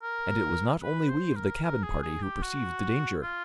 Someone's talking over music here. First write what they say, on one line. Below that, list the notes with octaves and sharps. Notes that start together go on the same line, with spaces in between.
And it was not only we of the cabin party who perceived the danger.
A#4
B4
C5
A#4
A#4
G#4
G#4
G4
F#4
F4